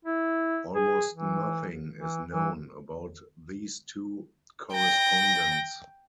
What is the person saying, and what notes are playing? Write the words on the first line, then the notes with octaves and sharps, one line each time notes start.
Almost nothing is known about these two correspondents.
E4
G#4
E3
E3
E3
G5 A#6